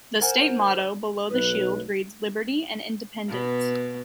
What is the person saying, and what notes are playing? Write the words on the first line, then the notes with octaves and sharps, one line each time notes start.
The state motto, below the shield, reads "Liberty and Independence".
A#4 C5 F#5 G#5
B1 B4
B2 B3